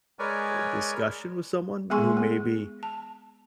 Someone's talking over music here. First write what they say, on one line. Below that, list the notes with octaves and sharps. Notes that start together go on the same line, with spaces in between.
uh, discussion with someone who maybe
G#3 A#4 B4 C#5 D5 G#5
G#3 B3 G#4 G#5 C6 C#6
B3
A5